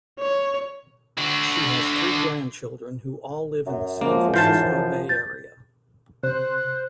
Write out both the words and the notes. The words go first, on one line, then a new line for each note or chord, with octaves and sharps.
She has three grandchildren who all live in the San Francisco Bay Area.
C#5
D3 F#4
F#2 E5
F3 G#3 A#3
G#2 E3 F4 A5 G6 C7 E7
F3
G6 A6
C3 C5 F#6